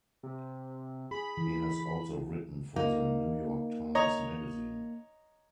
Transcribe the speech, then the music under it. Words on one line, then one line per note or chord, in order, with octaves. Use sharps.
He has also written for the "New York Times Magazine".
C3
G#4 B5
E3
A#3 D#4
C#5 D#5 A#5